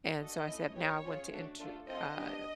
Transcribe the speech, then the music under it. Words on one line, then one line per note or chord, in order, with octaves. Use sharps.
and so I said, “Now I want to enter “uh,
A3 D4 F#4 A4 D#5
A3 C#4 E4
B3 E4 G4 C#5
C#4 F4 G#4
A3 D4 F#4
A3 D4 F4 A4
C4 F4 A4 D#5
B3 D4 G4